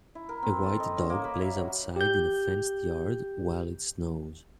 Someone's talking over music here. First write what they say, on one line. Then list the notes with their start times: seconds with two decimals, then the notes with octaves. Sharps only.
A white dog plays outside in a fenced yard while it snows.
0.15 E4
0.29 A#4
0.43 C4
0.63 A4
0.80 D#5
0.97 C#4
1.10 A#3
1.24 B5
1.41 E5
1.56 F#3
1.96 G4 G6